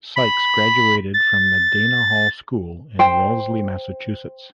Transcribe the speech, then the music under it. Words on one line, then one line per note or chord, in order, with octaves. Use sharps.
Sykes graduated from the Dana Hall School in Wellesley, Massachusetts.
B5
A6
C5 G5